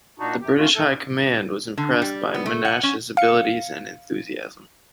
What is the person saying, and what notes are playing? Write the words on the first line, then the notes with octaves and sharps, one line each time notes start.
The British High Command was impressed by Monash's abilities and enthusiasm.
A#2 D4 D#4 F#4
F#2 C3 G4
E3 A3 F4 F#4
A3 A4
D3
G3
B3
A3
F#5
C#4
F5 C#7